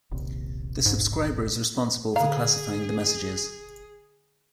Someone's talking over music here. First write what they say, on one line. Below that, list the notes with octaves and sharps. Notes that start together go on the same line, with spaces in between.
The subscriber is responsible for classifying the messages.
D#1 A#1 C3
G#2
D3 G#4 F5 A#5